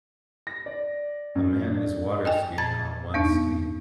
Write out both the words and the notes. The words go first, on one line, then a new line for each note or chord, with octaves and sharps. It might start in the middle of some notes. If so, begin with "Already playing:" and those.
A man is waterskiing on one ski.
A#6
D5
F#2
D4
D#5 G5 G#5
A#2 A5 G#6 A6
E2 B3 D4 D#4